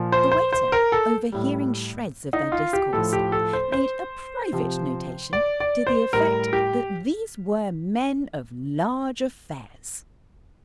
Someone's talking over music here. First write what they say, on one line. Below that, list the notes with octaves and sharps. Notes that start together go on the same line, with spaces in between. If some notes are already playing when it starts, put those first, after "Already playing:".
The waiter, overhearing shreds of their discourse, made a private notation to the effect that these were Men of Large Affairs.
Already playing: A#2 F3
C5
C5
C5
A#4
A4
A2 G3
D#4
F4
G4
A2 F3 A4
G4
A4
C5
C5
C3 F3
D5
D5
C5
A2 G3 A#4
G4